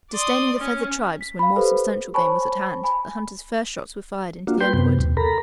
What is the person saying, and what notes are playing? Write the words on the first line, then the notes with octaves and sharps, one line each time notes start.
Disdaining the feathered tribes when more substantial game was at hand, the hunters' first shots were fired into the underwood.
D5 C6 D#6
C#4
B6
F5 B5
G4 A4 B4 C5
C5 C#5 G#5 A5 B5 C#6
G#5 B5
A#3 D4 F4 F#4
B4 G5 C6 G6
F#2 C3 B3
D#2 B2
A4 A#4 A#5 B5